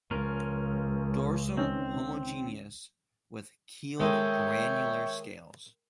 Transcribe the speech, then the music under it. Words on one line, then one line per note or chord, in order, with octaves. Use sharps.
Dorsum homogeneous with keeled granular scales.
C#2 F3 C#4 A#4
D#3 C4 C#4 D#4
D#3 G#3 A4 C#5 E5 G5